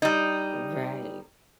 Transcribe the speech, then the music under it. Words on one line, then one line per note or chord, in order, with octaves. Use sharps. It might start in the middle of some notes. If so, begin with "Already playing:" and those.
Oh, right.
G3 D#4